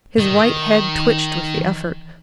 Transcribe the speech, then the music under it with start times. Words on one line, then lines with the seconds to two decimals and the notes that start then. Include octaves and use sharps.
His white head twitched with the effort.
0.19 D#3